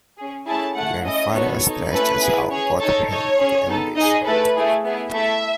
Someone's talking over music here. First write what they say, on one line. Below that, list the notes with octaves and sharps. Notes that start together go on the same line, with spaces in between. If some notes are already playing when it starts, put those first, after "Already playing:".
Grandfather stretches out both hands to embrace him.
C#4 G#4
A3 C#4 E4 G#4 A5
A3 E4 A4 F#5
C#4 E4 A4 D#5
B3 D#4 F#4 A4 C#5
D#4 A4
A3 C#4 E4 A4 B4
B3 E4 G#4
C#4 G#4 C#5
D#4 A4 C#5
D#4 A4 C#5
C#4 G#4
B3 D#4 A4
D#4 G#4 D#5
A3 E4 A4 B4
A3 E4 G#4
B3 E4 G#4
A3 E4 A4 E5